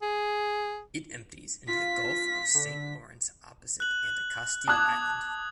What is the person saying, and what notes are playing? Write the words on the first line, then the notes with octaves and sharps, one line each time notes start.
It empties into the Gulf of Saint Lawrence opposite Anticosti Island.
G#4
F4 B6
D3
F#6 F#7
A5 D6 D#6 F#6 G#6